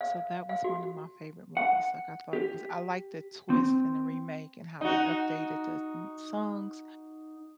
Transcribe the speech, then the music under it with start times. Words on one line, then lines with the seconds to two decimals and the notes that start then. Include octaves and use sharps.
So that was one of my favorite movies, like, I thought it was I like the twist and the remake and how they updated the m songs,
0.01 F5
0.49 F5
0.64 F#4
1.57 F#5
2.33 G4
3.50 C4
4.81 D#4 F#4